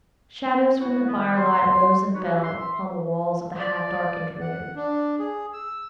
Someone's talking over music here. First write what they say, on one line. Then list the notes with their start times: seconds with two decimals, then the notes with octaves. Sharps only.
Shadows from the firelight rose and fell upon the walls of the half-darkened room.
0.80 E4 F#4
1.07 D#3 F3 G3 B3
1.37 C6
2.14 D#4 F#4 G4 B4 C#5
2.43 E5 C6
3.59 D5
4.41 F#5
4.76 D4
5.19 G#4
5.53 E6